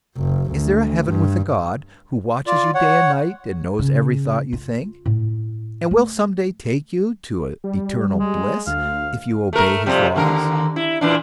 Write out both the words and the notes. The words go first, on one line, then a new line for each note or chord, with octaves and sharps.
Is there a heaven with a God, who watches you day and night, and knows every thought you think, and will some day take you to eternal bliss if you obey his laws?
F#1
D2
G2
F4 D5
C#5 F#5
C#3
F4
A2
A3
G3
G#3
D2 F5
A3 A#4
F2 C3 G3
D#2 D3 A#4
E4
A#2 E3 D4